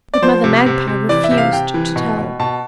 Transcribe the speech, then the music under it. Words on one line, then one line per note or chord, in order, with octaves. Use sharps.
But Mother Magpie refused to tell.
D5
F3 C5
C3
C3
C3
E3 D5
E5
C3
F5
C3 G5
E3
B2
B2
B2 A5